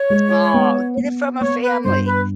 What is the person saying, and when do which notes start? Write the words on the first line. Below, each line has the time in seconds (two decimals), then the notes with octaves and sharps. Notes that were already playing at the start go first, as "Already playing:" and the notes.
Aw, get it from a family.
Already playing: C#5
0.10 G#3
0.54 B3
0.97 B3
1.41 B3 C#5
1.63 B4
1.85 G2 C5
2.07 B4